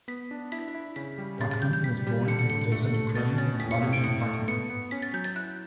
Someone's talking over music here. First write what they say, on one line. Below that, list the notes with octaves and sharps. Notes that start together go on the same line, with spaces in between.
Pachmann was born in Odessa, Ukraine as Vladimir Pachmann.
B3 B6
D4
E4 B6
E4
C#3 B6
G3
C#3 A6
A6
G3 G6
G6
G3 B6
G3
D3 C#7
C#7
D3 C#7
C#7
A3 C#7
A3
B2 A6
C#4 A6
A2 B6
C#7
A2
D7
A2 C#7
A3
B3 C#7
B3
C#4 B6
A6
F#3 G6
A6
E4 F#6